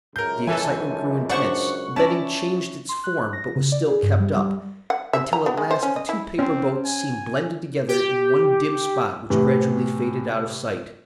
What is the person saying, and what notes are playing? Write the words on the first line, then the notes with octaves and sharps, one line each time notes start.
The excitement grew intense; the betting changed its form, but was still kept up, until at last the two paper boats seemed blended together in one dim spot which gradually faded out of sight.
C#2 F#2 A#4 G6
E3 A4 G#5
D4 C5 D5 F#5 C#6
C#4 E4 D5 A5
C6
F#6
A#6
C#3
D5
G#4
G2
G3
G3
F#5
E5
A#5
B3
G#3
C5
C#4
D#5
E4
C4 C#4 C5
G#5
G4
A2 C3 E3